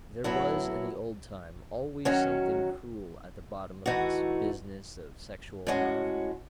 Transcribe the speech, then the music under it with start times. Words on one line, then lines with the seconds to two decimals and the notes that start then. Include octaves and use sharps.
There was in the old time always something cruel at the bottom of this business of sexual love.
0.24 A2 F#3 B3 E4
2.05 D#3 F#3 C#4 F#4
3.86 E3 A3 D#4 F#4
5.67 A2 G#3 C#4 F#4